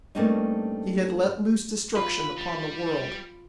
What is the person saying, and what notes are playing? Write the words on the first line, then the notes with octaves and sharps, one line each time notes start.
He had let loose destruction upon the world.
G2 A3 A#3 C4 C#4 D#4
F4 B4 B5
G3